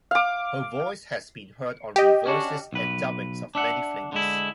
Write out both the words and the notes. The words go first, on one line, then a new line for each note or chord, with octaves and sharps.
Her voice has been heard on re-voices and dubbings of many films.
F5 D6
G4 D#5
C#4 D4 F#4
B1 B4
D4 E5 F#5
D3 G#3 E4